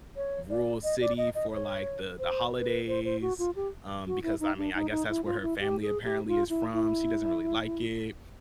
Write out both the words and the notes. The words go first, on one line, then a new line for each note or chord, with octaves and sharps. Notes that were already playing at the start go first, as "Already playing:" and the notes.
rural city for, like, the the holidays, um, because, I mean, I guess that's where her family apparently is from. She doesn't really like it,
C#5
D5
D#5
D5
D#5
D#5
C#5
C5
B4
C5
C5
F#4
F4
G4
F#4
E4
D#4
D4
D#4
D#4
E4
F4
E4
G4
G#4
G4
F4
E4
E4